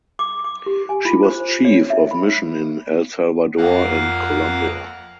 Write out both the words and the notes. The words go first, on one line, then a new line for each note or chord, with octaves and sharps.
She was Chief of Mission in El Salvador and Colombia.
D6
D6
G4
G#5
F4
C5
C5
C#5
E5
B5
F2 A#3 F5 F#5